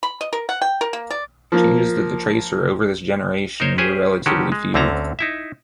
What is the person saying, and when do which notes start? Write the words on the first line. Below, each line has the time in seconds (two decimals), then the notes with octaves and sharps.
Changes to the Tracer over this generation were relatively few.
0.03 B5
0.21 D#5
0.33 A#4
0.49 F#5
0.62 G5
0.81 A#4
0.93 A#3
1.10 D5
1.52 F3 A#3
3.60 D#4 A#4 C5 C#5
3.78 C#4 G4 G#4 B4 C5 G#5
4.26 D3 D#3 C#4 F#4 G4
4.52 G#3
4.74 D2 D3 C4 C#4 A5 A#5
5.19 D#4 E4 E5